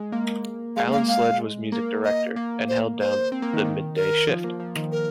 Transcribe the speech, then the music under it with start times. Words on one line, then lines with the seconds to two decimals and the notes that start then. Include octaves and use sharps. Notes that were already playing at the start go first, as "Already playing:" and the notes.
Alan Sledge was music director, and held down the mid-day shift.
Already playing: G#3
0.12 A#3
0.76 G#3 F5
0.87 A#3
0.92 F5
0.98 A#3
1.08 G#3 F5
1.72 A#3
2.04 D#5
2.36 A#3
2.68 C5
3.00 C5
3.32 C4
3.42 A#3
3.53 D#3
3.65 D#3
3.96 A#4
4.28 F3
4.44 A#3
4.60 F3
4.76 D#3
4.92 A#4